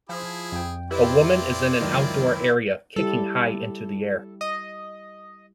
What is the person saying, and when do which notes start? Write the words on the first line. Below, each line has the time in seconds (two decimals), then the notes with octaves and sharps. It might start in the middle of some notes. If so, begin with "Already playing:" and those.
A woman is in an outdoor area kicking high into the air.
0.09 F3 E4 G#4
0.52 F2 G5
0.91 C4 E4 F4 G4 B4 D5
1.81 C#2 F#2 D#3 D#5
2.96 G3 E4 G4 A4
4.41 D#5